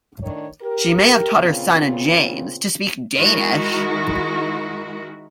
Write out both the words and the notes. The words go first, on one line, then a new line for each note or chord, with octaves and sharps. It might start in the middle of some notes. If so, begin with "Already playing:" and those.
She may have taught her son James to speak Danish.
A2 D#3 D4 C#5
G4 A#4
A#2 C#3 B3 C4 F4
D#3 G#3 E4 F#4 A#4